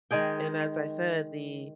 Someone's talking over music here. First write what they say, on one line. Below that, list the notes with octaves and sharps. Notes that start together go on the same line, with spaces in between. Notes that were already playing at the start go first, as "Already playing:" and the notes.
and, as I said, the
D#3 G#3 G#4 G5